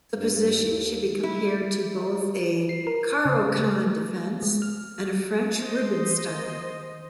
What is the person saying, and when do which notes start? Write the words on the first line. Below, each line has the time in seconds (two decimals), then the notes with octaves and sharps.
The position should be compared to both a Caro-Kann Defense and a French Rubinstein.
0.17 G2
0.57 D#2
1.23 E4
2.69 C7
2.87 A#4
3.25 C#3
3.59 A3
4.43 G#3
4.62 F6
5.60 C5 D#5